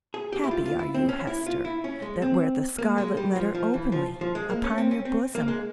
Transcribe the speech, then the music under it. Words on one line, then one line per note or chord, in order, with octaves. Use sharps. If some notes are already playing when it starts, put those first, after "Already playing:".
Happy are you, Hester, that wear the scarlet letter openly upon your bosom!
G#4
G4
E4
F4
F4
E4
C4
C#4
E4
F4
E4
C#4
G#3
C4
A#3
G#3
G3
F3
F3
E3
F3
F3
G#3
A#3
C#4
C4
C#4
C4
A#3
G#3